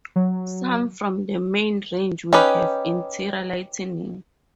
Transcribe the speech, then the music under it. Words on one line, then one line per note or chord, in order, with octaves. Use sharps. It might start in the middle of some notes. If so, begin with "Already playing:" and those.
Some from the main range will have interior lighting.
F#3
C#4 D#4 G4 B4